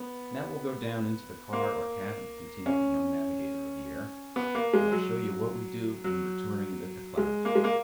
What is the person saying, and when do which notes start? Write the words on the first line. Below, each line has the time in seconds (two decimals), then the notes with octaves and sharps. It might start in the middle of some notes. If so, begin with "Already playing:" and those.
"Now we'll go down into the car or cabin," continued the young navigator of the air, "and I'll show you what we do when we're touring amid the clouds."
Already playing: B3
1.53 A#3
2.66 C#4
4.36 B3
4.55 A#3
4.73 G#3
4.92 F#3
6.04 F#3
7.17 G#3
7.45 A#3
7.55 G#3
7.64 A#3